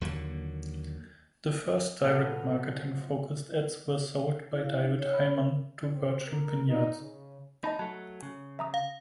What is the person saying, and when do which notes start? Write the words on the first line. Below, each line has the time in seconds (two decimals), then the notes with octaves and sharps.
The first direct marketing focused ads were sold by David Hyman to Virtual Vineyards.
0.01 D#2 D3 F#3 A#3
2.04 A#2 F3 F#3 A4 B4 F#5 A5
4.51 E4
4.64 F5
4.80 D#4
4.99 C#5
5.14 B5
5.34 A#4
5.92 C4
6.27 A#4
6.68 D#4
7.01 C#3
7.64 D#4 D#5 A5 B5
7.79 F#3 A3 A5
8.23 C#3
8.59 E5 A#5 D#6
8.74 F5